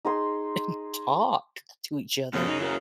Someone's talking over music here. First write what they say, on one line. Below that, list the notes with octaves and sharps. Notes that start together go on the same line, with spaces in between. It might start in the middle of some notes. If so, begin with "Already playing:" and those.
and talk to each other.
D#4 G#4 C6
F#2 C#3 F3 A3 B3
D#4
E4 F#4 A#4